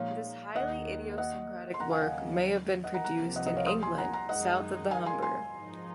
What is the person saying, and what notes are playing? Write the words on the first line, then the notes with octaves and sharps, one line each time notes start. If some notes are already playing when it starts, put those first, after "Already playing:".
This highly idiosyncratic work may have been produced in England south of the Humber.
Already playing: A#2 F3 G#3 D#4 C#5 F5
D#2 D#3 A#3 D#5 F#5
D#5 F#5
C6
D#2 C#3 F#3 F#5 A#5
F5 G#5
D#5 F#5
D#5 F#5
F#5 A#5
C2 C3 F3 A#3 F#5 A#5
D#5 F#5
D#5 F#5
C#5 F5
C6 D#6
G#5 C6
F#5 A#5
F#5 A#5
F#2 D#3 G#3 D#4 D#5 F#5
F5 G#5
G#5 C6
G#5 C6
G#2 F3 G#3 D#4